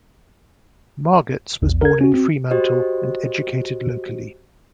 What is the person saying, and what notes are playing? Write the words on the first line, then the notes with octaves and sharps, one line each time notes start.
Margetts was born in Fremantle and educated locally.
A#1 E2
A#4 G#6
C#4 F#4
C4 F#4
F#4 G4 C5 D#5